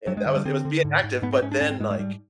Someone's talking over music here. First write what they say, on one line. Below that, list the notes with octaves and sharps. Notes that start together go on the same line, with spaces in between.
and I was it was being active, but then, like,
G2 F#3
G#3
D3
G3
D3 C4
D3
G#2
G#2
G#2 B3
C4
G#2 C#4
D4
G#2 C#4
C4
G#2 G#3
G#3
G#2 G3